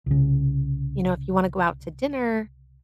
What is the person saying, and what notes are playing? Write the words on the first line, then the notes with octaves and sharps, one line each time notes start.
"You know, if you wanna go out to dinner"
C2 C#3